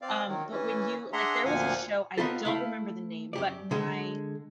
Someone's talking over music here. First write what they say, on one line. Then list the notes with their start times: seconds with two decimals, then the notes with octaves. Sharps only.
um, but when you like, there was a show, I don't remember the name, but my
0.02 C4 D5 F5
0.28 D#3 F#3
0.51 E3 C#4
1.13 D4 G#4 E5 F#5 A#5 C6
1.45 D2 A#2 F3 F5 F#5 G#5
2.18 B3 D#4 F4 G4 A4
2.45 A3 E4 F5
3.33 F#2 G4 D5
3.71 D3 G#3